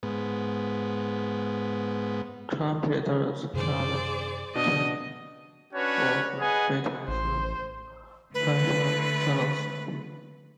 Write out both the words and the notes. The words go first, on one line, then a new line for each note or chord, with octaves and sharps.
Trumpeter Scott Steen was Bette's featured soloist.
G#2 B3
F#2 C3 D#3 G#4 C5 D5
B2 D4 D#5
C#4 D4 F#4 B4 C#5
G#4 B4 D#5 F#5 G#5
A1 C5
D3 A3 B4